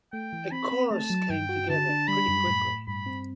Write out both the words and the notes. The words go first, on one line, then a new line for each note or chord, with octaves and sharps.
A chorus came together pretty quickly.
A3 G5
E3
C4 B5
C4
A3 A5
F#3
G2 G5
F#4
D3 A5
D4
G3 B5
F#2
A2
A2
G2 B5
C4